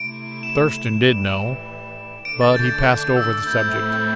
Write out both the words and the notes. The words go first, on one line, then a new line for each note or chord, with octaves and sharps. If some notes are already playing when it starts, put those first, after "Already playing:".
Thurston did know, but he passed over the subject.
Already playing: C3 A3 E4 D7
E7
A2 E3 G3
D3 A3 D4 D7
A6
G6
E6
A2 A3 C4 E4 G6